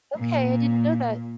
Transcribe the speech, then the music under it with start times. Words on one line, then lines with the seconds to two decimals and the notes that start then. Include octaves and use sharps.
Okay, I didn't know that.
0.17 A#2